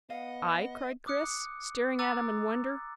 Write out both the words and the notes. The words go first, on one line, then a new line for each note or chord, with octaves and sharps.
"I?" cried Chris, staring at him in wonder.
B3 D#5 F5 F#5
D6 D#6 F#6 C#7
A#5 D6 E6 F#6 A6